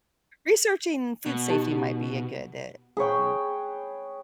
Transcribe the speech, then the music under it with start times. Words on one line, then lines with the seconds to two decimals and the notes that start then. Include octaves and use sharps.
researching food safety might be a good, eh, um,
1.26 B2
1.50 D#4 G4 D#5
2.97 G#4 B4 C#5 G5